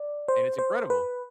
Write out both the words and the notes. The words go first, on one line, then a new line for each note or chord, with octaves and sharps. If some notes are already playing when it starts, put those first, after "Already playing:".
And it's incredible.
Already playing: D5
C5
C5
B4